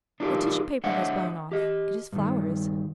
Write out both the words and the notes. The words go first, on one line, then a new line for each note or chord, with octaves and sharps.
"The tissue paper has blown off: it is flowers."
D4 D#4 F4 G4 A#4
D4 C5 C#5 D#5 E5 F#5
G4 D#5
G2 D#3